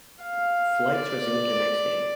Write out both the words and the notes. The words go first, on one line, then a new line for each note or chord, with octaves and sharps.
Flights resumed the next day.
F5
D5